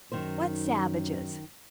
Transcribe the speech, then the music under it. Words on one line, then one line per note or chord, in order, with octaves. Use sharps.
"What savages?"
F#2 D#3 D#4 C5